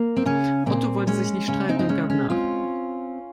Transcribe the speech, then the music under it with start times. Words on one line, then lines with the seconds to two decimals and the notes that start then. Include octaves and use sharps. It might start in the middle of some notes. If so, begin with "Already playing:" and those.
Otto wollte sich nicht streiten und gab nach.
Already playing: A#3
0.17 C4
0.25 C#3 C#4
0.66 A#2 C4
1.07 G#3 C#4
1.48 C#3 C#4
1.69 C4 D#4
1.79 D#4
1.89 G#3 C#4
2.10 C#4
2.30 C4 C#4 F4